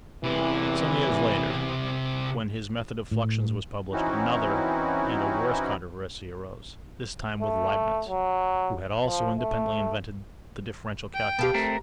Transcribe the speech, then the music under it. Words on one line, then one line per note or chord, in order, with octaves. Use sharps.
Some years later, when his method of fluxions was published, another and a worse controversy arose--this time with Leibnitz, who had also independently invented the differential calculus.
A1 E2 C3 E3 E4
A2
E3 C4 C#4 D#4 E4 F#4
A3
F#3
F3
A3
G5
B2 G4 F5 A5
A3 C4 A#4